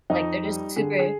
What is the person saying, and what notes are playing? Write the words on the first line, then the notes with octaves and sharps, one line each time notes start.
like, they're just super
F2 D#4 D#5
G3
D3 G#4
G#4